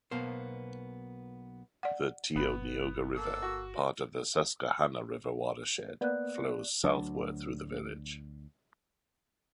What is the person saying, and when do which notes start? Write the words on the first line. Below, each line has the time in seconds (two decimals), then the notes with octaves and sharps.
The Tioughnioga River, part of the Susquehanna River watershed, flows southward through the village.
0.11 B1 B2 A#3 B3 C5
1.83 D5 F#5
2.36 G1 B3 B5
3.15 A#3 A4 E6
3.42 F#4
6.01 A#3 B3 D5 F#6
6.84 D2 F#3 D4